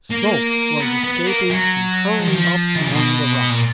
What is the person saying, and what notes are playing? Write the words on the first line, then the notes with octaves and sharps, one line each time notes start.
Smoke was escaping and curling up among the rocks.
A#3
B3
B3
A#3
F#3
F3
D#3
F3
D#3
C#3
B2
A#2